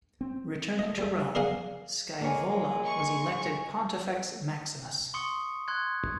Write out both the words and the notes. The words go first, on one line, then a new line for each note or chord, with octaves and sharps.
Returning to Rome, Scaevola was elected pontifex maximus.
C4
D#5
G3
G#4 A#4 D5 F5 F#5 G#5
G#3 A#3 C#5 G#5
C#6
C6 C#6 D#6 C#7
C6 F#6 G#6